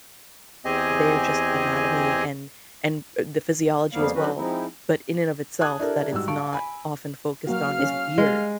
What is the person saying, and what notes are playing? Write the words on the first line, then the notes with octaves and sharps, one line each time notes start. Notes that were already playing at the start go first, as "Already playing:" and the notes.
their just anatomy and and, eh, the physiology as well, but in and of itself that it's not often focused on is weird.
E2 C4 G4 G#4 D#5 G#5
F2 F3 G3 A#3 B3 F5
D3 F#3 C#4 D#4 F#4 B4
F3 G#3 C4 D#4 E4
A5 D#6 F#6 G#6
D4 E4 G4 A4 A#4
G#2 G3 F#4 E6
F5 A5 C#6 D7
G#5 B5
F#3 A#3 F#4 F5 F6
C#4
G#3